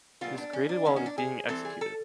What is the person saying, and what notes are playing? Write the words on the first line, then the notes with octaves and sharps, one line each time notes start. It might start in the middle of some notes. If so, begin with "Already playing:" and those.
It is created while it is being executed.
A#2 G3 B3 F4
D4
C#4
D4
D#3 F#3 B3 C#4
C#4
D4
G#4
E3 G3 C4 A4
G#4
A4